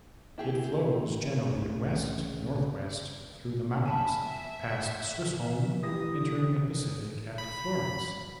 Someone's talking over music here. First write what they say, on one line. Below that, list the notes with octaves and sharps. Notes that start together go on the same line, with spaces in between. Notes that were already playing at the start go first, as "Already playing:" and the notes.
It flows generally west-northwest through the mountains, past Swisshome, entering the Pacific at Florence.
A#3 E4 G4 G#4
C2 A2 C#3
E5 G#5 A5 B5
E3 G4 D#6 A#6
B5